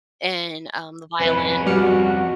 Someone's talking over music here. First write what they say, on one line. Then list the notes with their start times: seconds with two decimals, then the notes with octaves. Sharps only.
and, um, the violin.
1.20 F2 C#4 B4
1.66 G3 F#4 F6 C#7